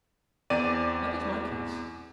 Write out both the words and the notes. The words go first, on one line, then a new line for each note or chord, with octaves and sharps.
"That is my case."
E2 C4 D5 D#7